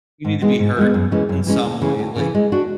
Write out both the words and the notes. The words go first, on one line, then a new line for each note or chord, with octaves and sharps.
you need to be hurt in some way, like
G#2
E3 G#3 B3
G#2
E3 G#3 B3
F#2
E3 G#3 C#4
F#2
E3 G#3 C#4
D2
C#3 E3
D2
C#3 E3
G#3
D4 F#4